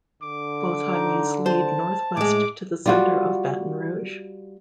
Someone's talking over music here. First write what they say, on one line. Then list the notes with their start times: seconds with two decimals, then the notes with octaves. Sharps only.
Both highways lead northwest to the center of Baton Rouge.
0.23 D3 D6
0.94 D#4
1.46 C5 A5
2.17 A2 G#3 D6
2.86 G3 F4 F#4